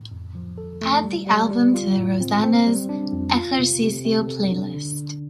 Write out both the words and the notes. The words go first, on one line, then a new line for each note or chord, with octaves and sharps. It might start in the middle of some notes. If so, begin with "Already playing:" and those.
Add the album to rosanna's ejercicio playlist.
Already playing: A2
F2
F3
A4
A3
G3
G3
G3
F4
A2
C4
C4
G3
D4
F2
F4
C3
C3
C3
A4
D4
D3
D3